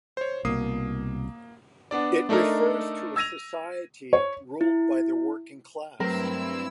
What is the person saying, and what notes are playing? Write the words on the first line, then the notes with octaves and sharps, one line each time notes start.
It refers to a society ruled by the working class.
C5 C#5
C2 B2 A#3 D#6 C7
B3 D4 D5
A3 D4 D#4 A4 A#4
E6 G#6 A#6 D#7 F7
C#5
E4
G2 F#3 A3 C4 E4 A#4 B4 E6